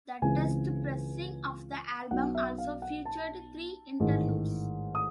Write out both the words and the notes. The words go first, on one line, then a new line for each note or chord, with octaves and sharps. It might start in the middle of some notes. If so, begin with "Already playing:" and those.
The test pressing of the album also featured three interludes.
C#2 C#3 E3 G#3 C4 G#5
B1 B2 F#3 B3 D#4 F#5
E5
F5
F#5
A5
A1 G#2 D#3 G#3
D#6